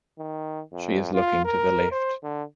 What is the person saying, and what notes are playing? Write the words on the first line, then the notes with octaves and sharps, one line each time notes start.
She is looking to the left.
D#3
F2
F4
A#4
C5
D3